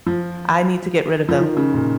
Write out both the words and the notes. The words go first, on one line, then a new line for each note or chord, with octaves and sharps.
I need to get rid of them.
F3
F3
D#3
C#3
A#2